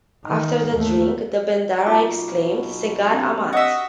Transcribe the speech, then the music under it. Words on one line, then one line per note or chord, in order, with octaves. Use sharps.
After the drink, the Bendahara exclaimed, Segar amat!
D#3
D#2 A3
B1 F4 D6 E6
C4 D4 G4
F#4 D#5 E5